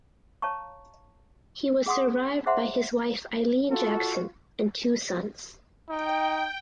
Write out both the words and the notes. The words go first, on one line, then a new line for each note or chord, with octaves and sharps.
He was survived by his wife Eileen Jackson and two sons.
C#5 F5 A5 A#5 C#6
G#4 F#5 C6 D#6
G#4 C5 E5 F#5 A#5 C6
F4 F#4 A4
D#4 G5